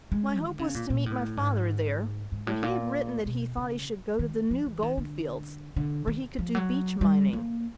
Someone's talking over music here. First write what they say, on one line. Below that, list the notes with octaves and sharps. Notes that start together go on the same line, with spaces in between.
My hope was to meet my father there, for he had written that he thought he should go to the new gold fields, where he could do beach mining.
G#3
D3
C#3
A#2
A#2
A2
G#2
G#2
A2
A#2
B2
C#3
D#3
F3
E3
D#3
D3
D3
D#3
F3
F#3
G3
A#3